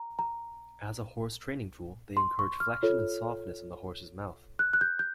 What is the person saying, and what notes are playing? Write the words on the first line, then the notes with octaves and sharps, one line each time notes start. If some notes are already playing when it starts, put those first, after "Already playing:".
As a horse training tool, they encourage flexion and softness in the horse's mouth.
Already playing: A#5
A#5
C6
C#6
F6
F4 A4 C#5
F#6
F#6
G6
G6